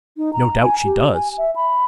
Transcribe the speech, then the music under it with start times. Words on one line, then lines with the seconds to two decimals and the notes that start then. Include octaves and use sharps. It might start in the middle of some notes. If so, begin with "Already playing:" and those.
No doubt she does.
0.17 D#4
0.33 A#5
0.61 G#5
0.85 G4
1.15 G#5
1.38 E5
1.56 B5